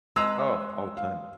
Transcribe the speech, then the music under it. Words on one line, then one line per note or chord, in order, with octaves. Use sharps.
Oh, all the time.
G#3 B4 D#5 A#5 E6
F5